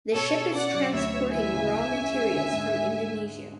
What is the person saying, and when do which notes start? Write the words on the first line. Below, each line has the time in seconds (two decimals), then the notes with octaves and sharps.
The ship is transporting raw materials from Indonesia.
0.14 B2 A4 C#5
0.34 G#4
0.53 C#4 D5 F#5
0.74 F#3
0.93 D2 C#5 E5
1.13 B3
1.33 E3 E5 G#5
1.54 C#3
1.73 E2
1.94 C#4
2.13 G#3
2.32 D3
2.53 G#2